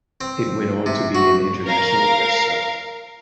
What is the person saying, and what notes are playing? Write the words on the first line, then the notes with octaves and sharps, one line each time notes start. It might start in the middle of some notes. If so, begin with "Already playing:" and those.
It went on to be an international bestseller.
C4
C3
F#4
A#4 F5